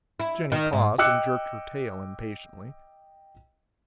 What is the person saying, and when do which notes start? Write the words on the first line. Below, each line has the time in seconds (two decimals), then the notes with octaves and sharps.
Jenny paused and jerked her tail impatiently.
0.20 E4
0.52 D#3
0.73 G#2
0.98 D#5 G5 D6 E6 F#6 C#7